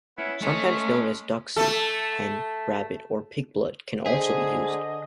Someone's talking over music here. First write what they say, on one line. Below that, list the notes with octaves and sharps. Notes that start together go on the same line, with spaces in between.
Sometimes known as "duck soup", hen, rabbit or pig blood can also be used.
B3 C#4 E4
G#3 A3 C#4
A3 A4
D3 G#4 C5 D#5 D#6 B6